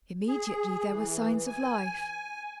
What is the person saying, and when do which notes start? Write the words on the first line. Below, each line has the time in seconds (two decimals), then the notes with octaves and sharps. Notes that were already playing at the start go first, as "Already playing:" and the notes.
Immediately there were signs of life.
0.28 G#4
0.90 E3
1.47 G#5